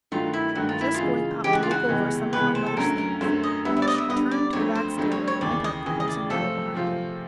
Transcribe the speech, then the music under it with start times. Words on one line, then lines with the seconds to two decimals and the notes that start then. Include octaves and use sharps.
"I'm just going up to look over some of my mother's things." And she turned to the back stairway, and went up, closing the door behind her.
0.12 G2 D#3 F#3 A3 F4
0.33 E4
0.55 G2 D#3 F#3 A3 F#4
0.69 F4
0.81 E4
0.94 F4
0.99 C#3 E3 G#3
1.44 C#3 E3 G#3 G4
1.53 F#4
1.63 F4
1.71 F#4
1.88 C#2 C3 E3 G#3 B3
2.33 C#2 C3 E3 G#3 B3 B4
2.55 C5
2.66 A4
2.76 F#2 D3 F#3 A3 C#4 A#4
2.98 A#4
3.21 F#2 D3 F#3 A3 C#4 C5
3.43 D#5
3.65 D3 G3 B3 E5
3.77 E5
3.82 D5
3.88 D#5
3.98 E5
4.09 D3 G3 B3 D#5
4.31 D5
4.53 F2 D3 F#3 A3 C4 C#5
4.75 C5
4.97 F2 D3 F#3 A3 C4
5.12 C#5
5.27 C#5
5.41 D#2 C#3 E3 D5
5.64 D#5
5.86 D#2 C#3 E3 D#5
6.00 D#5
6.08 D5
6.29 C3 F3 A3 C4 F4 A4
6.74 C3 F3 A3 C4 F4